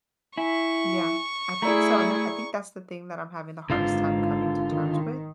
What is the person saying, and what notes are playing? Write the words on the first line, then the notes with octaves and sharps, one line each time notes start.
Yeah, I think so and that I think that's the thing that I'm having the hardest time coming to terms with,
E4 G#5 C#6
A3 E4 G#4 D5 A#5
G#1 D3 F4
D#3